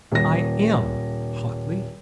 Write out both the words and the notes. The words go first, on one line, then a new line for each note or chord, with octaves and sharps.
"I am!" hotly.
D#1 A#6